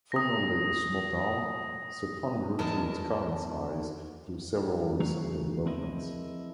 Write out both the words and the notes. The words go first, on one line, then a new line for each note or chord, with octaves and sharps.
Formerly a small town, Sepang grew to its current size through several recent developments.
D#6 A#6
E2 A#4 D#5 A5
E3 A3 F#4 G#4 A#5
F3 C4 E4 G#4 A#4 D#5